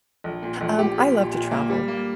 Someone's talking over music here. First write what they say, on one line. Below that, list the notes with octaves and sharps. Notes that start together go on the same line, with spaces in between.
Um, I love to travel.
A#1
A#2
A#1
G4
G4
A#2
A#2
A#3
G3
A#3